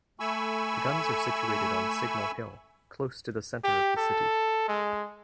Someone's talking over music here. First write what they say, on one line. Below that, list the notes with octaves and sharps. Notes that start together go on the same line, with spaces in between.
The guns are situated on Signal Hill, close to the centre of the city.
A3 G#5 B5 C#6 E6
G4
A4
G#3